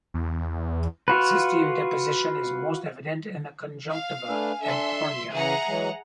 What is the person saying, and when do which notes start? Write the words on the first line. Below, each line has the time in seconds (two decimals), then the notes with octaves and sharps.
Cysteine deposition is most evident in the conjunctiva and cornea.
0.14 E2
1.08 F4 F#4 B4
3.91 F5
4.28 A3 D4 B4 G#5
4.62 D4 A4 E5 C6
5.33 C#3 E3 G#4 E5 F#5 A#5
5.67 E3 F#3 G#3